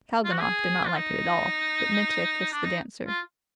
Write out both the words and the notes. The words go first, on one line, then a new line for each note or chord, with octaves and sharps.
Kalganov did not like it at all, but Mitya kissed the dancer.
F4
F#4
G#4
F4
D#4
D4
D#4
F4